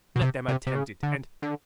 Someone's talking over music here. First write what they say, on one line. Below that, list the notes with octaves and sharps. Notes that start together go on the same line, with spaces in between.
"Let them attempt it, and...."
B2
C3
C3
C3
C#3
D3
D3